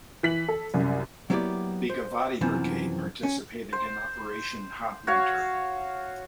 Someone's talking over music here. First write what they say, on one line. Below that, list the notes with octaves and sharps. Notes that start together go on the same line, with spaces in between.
The Givati Brigade participated in Operation Hot Winter.
E3 B6 F#7
A4
C2 F#2
F#3 A#3 B3 E4 G4 D5
C5
F#2 C3 E3 F3 B3
C#4
C5
F#4 C#5 F5